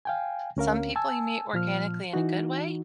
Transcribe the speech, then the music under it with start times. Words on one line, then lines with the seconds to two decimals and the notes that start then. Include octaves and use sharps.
some people you meet organically in a good way,
0.05 F5 G5 G#5
0.57 D2 C#4 A#4 F5
0.96 G#5 A5 E6
1.53 A#2 F3 F6
2.13 E3 D#4 F#4